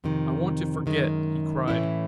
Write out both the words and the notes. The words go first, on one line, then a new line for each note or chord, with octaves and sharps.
"I want to forget," he cried.
F2 C3 D#3
F#2 D#3 G#3
A2 E3 A3 C#4 E4